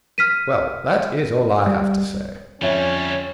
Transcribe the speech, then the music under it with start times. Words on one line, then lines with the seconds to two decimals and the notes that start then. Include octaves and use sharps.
Well, that is all I have to say.
0.18 F6 B6 D#7
1.67 G3
2.62 F2 D3 G3 C#4 C#5 E5 G#5